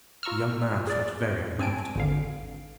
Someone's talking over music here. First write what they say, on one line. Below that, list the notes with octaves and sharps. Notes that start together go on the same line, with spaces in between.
The young man felt very uncomfortable.
F4 A#5 C#6 E6 F6
G#4 D5
G2 C4 G#5 A5 D7
G#1 D3 F5